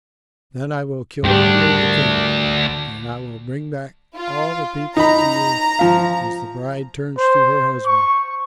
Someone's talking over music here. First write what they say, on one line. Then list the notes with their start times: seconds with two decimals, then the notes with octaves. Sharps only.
Then I will kill only the king, and I will bring back all the people to you as the bride turns to her husband.
1.24 D2 G#2 G3 D4 G4
1.62 A#4
4.18 F4
4.97 D#4 A#5 B5
5.79 F3 F5
7.18 C5
7.86 C#6